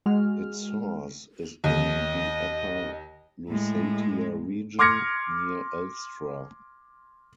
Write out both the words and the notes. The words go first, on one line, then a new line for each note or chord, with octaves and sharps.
Its source is in the Upper Lusatia region, near Elstra.
G#3 F#4 F6
D#2 D#5
A2 G#3
C6 D6 F6 G#6 A#6 C#7